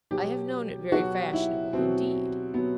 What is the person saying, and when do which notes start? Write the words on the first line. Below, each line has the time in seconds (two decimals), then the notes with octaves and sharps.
I have known it very fashionable indeed.
0.11 B2 F#3 G4
0.92 B2 F#3 F#4
1.33 E4
1.73 B2 F#3 C4
2.54 B2 F#3 B3